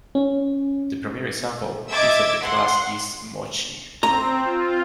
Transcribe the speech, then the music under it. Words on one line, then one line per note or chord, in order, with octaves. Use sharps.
The premier example is of the class is MoCl.
C#4
D#5 E5 D6 E6 G#6 A6
F#5 C6
C4 A#5
F4